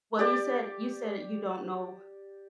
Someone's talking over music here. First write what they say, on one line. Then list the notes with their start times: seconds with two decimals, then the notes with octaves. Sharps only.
Well, you said you said you don't know
0.19 G4 D5 D6